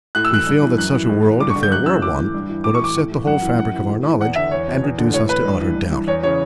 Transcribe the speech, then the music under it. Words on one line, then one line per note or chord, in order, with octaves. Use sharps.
We feel that such a world, if there were one, would upset the whole fabric of our knowledge and reduce us to utter doubt.
A2 F#6
E6
E3 F#6
G2
E3
F#2 F#6
E3
A2
E3
G2 D6
C#6
D3
G6
F#2 F#6
C#3 E3 E6
A2 D6
E3
G2
E3
A2 D6
C#6
E3 D6
A2
E3
F#2 F#5
E3
F#2 F#5
E3
A2
E3
E2 F#5
D3 E5
E2 C#5
B2
E2
D3
A2 C#5
E3 B4
G2
E3
G2
E3
E2 C#5
C#3 E3 C#5